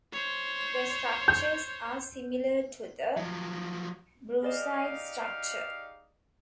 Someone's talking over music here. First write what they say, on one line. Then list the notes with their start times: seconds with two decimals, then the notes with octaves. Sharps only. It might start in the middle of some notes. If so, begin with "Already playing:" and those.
The structures are similar to the brucite structure.
0.12 C5 C#5
1.28 G6
3.17 F3 F#3
4.43 D#4 G4 G#4 D5 D#5 F5